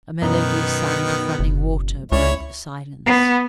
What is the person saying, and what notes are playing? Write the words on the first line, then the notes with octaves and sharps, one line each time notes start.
A melodious sound of running water broke the silence.
F#2 B2 D#3 B3 D#4
F#1
C#2 C#4 E4 C#5 D5
B3